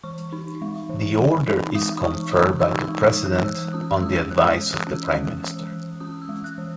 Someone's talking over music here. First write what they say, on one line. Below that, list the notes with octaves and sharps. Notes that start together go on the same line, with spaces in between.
The Order is conferred by the President on the advice of the Prime Minister.
E3 C#6
D#4
G#3
E3
E3
D#4
G#3 D#6
E3 C#6
E3 D#6
D#4 E6
E6
G#3
E6
E3
F#6
E3 E6
C#4 D#6
D#6
G#3 E6
E3 F#6
D#6
E3
F#6
C#4
E6
G#3
E3
E3
C#4 D#6
E6
G#3
F#6
E3